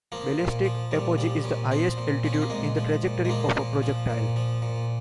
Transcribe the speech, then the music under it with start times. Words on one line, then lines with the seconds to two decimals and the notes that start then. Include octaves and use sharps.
Ballistic apogee is the highest altitude in the trajectory of a projectile.
0.12 F3 A#3
0.39 A#2
0.65 F3
0.91 A#2 G3
1.18 F3 G3
1.44 A#2 C#4
1.71 F3 C4
1.97 A#2
2.24 F3 C#4
2.34 C4
2.42 A#3
2.50 A#2 G#3
2.77 F3
3.03 A#2
3.25 G#3
3.30 F3 A#3
3.56 A#2
3.83 F3
4.10 A#2
4.36 F3
4.62 A#2